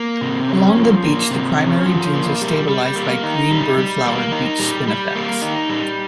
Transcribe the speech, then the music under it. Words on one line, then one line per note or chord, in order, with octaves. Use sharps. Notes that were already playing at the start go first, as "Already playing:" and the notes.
Along the beach, the primary dunes are stabilised by green birdflower and beach spinifex.
Already playing: A#3
C3
C#4
F3
A#3
C3
C#4
F3
A#3
G3
G3
A#3
D#4
G3
G3
A#3
D#4
G3
G3
A#3
D#4
G3